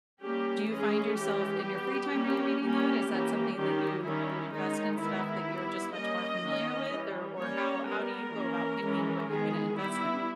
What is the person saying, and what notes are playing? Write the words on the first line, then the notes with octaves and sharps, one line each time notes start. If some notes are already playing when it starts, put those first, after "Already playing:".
do you find yourself, in your free time, are you reading that? Is that something that you you invest in stuff that you're just much more familiar with? Or or how how do you go about picking what you're gonna invest in?
G3 A#3 C#4 G4
E3 G#3 C#4 G#4
E3 G#3 C#4 G4
G3 B3
G3 A#3 C#4
G3 A#3 C#4 G4
E3 A#3 C#4
D#3 G3 C#4 G4
D#3 G3 C#4 E4
D#3 G#3 C#4 D#4
D#3 G#3 B3 E4
G3 B3
G3 A#3 C#4 D#5
D#3 A#3 C#4
E3 G3 C#4
G3 A#3 C#4 C#5
G3 B3 A#4
E3 A#3 C#4
E3 G#3 C#4
D#3 G#3 B3 G#4
G3 B3 E4